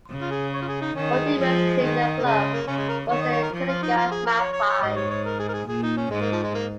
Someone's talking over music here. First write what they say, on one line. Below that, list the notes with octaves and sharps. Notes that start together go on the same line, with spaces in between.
Mortimer's junior club was the Kooringal Magpies.
C#3
F4
G#4
C#5
F4
G#4
D#4
D#3 C#4
G#3
G#3
F3
D#3
A#3
C#3 G#3
G#3
A#3
C#3 C#4
G#3
A#4
D#3 C#5
D#5
C#5
A#4
F3
F4
D#4
F4
G#4
A#4
C#5
C#5
C#5
G#2 D#5
C#5
C#5
A#4
G#4
A#4
G#4
A#2 G#4
D#4
C#4
G#2 G#3
A#3
F3
G#3
A#3